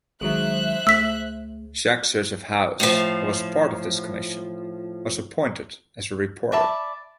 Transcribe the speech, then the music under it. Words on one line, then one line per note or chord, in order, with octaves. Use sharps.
Jacques-Joseph Haus, who was part of this commission, was appointed as reporter.
G#1 D#3 F#3 G#3 C5 E5 F#6
C#2 A3 E6 B6
A2 F3
D5 E5 A5 B5